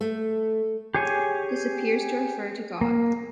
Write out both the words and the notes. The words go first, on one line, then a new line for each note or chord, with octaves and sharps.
This appears to refer to God.
A3
G4 G#4 C#5 G#5
A#3